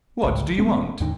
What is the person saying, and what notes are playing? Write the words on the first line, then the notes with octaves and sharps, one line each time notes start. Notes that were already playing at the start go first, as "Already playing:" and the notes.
"What do you want?"
G#1 C#2 A2
E1 G#3 B3 C#4
D#2 G#2 D3 D#3